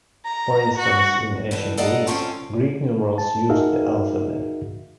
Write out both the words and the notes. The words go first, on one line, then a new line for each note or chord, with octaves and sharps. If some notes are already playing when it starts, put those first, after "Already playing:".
For instance in Ancient Greece, Greek numerals used the alphabet.
A#5
F#4
G2 B2 E3 G3
A4 D5 D#5 F5 F#5 A#5
G#2 C4 C#4 F4 A4 G5
A5
D#4 F#4 G#4 A#4 E5 F5